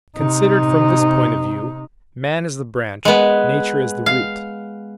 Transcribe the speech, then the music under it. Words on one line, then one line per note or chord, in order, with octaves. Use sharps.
Considered from this point of view man is the branch; nature is the root.
C3 D#4
G#3 B3
F5